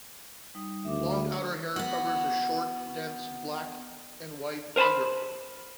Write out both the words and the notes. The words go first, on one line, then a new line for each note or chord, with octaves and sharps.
Long outer hair covers a short, dense, black and white underfur.
G3 D#4 D#6
D2 E5 D6
B3 F#4
A#4 C5 G#5 A5 B5